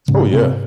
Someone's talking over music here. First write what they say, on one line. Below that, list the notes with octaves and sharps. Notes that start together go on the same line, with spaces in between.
Oh, yeah.
G#2 C#3 C#4
C3 C4